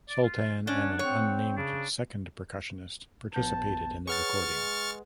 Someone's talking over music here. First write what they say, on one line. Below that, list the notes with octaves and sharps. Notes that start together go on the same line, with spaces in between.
Sultan and an unnamed second percussionist participated in the recording.
D5
F4
C#4 D4 F#5
C4 C#5
C#3 D4
A#1 B3 A5 G6
G#4 B4 C#5 F#5 C#6 F6 A6
G#3